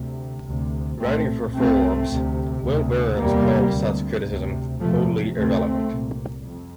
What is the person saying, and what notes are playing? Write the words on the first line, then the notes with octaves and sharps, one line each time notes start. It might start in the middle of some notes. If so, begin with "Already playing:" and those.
Writing for "Forbes", Will Burns called such criticism "totally irrelevant".
Already playing: D2 C3
D2 C3
C2 A#2 A3 C4
C2 C3 A3 C4
D2 C3
D2 C3
E2 C3 G3 A#3
D2 C3
D2 C3
E2 C3 F3 A3
D2 C3 A3 C4
C2 A#2
F2